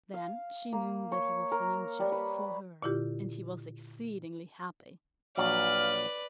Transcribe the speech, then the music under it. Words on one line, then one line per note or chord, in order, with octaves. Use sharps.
Then she knew that he was singing just for her, and she was exceedingly happy.
F5
A#3
C#5
A#4
G3
B4
A#2 D3 E4 F4 G4
A#1 F#3 B4 D5 F5